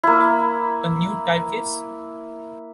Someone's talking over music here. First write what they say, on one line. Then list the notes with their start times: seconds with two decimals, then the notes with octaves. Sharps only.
A New Typeface?
0.03 A#3 E4